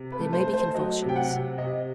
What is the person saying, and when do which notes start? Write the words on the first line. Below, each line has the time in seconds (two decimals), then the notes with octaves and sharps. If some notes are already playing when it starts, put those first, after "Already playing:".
There may be convulsions.
Already playing: C3
0.12 B4
0.19 A3
0.33 C5
0.47 A3
0.53 C5
0.74 F#3 D#5
1.02 C3
1.09 G5
1.16 F#5
1.30 C3
1.58 C3 D#5